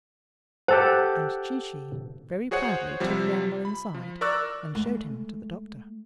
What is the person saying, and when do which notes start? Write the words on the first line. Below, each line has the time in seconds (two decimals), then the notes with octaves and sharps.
And Chee-Chee very proudly took the animal inside and showed him to the Doctor.
0.68 G4 A4 C5 F#5
2.51 F#4 G#4 C5 C#5 F#5
3.00 C3 F3 G3
3.65 B5
3.94 F3
4.21 A#4 D5 C#6 E6 F#6
4.75 G#3 A3